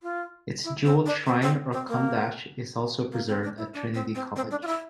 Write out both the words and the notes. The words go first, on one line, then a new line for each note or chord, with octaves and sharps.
Its jewelled shrine or cumdach is also preserved at Trinity College.
F4
E4
C4
D4
C4
C4
C4
A#3
A#3
C4
D4
E4
D4
C4
C4
C4
D4
F4
E4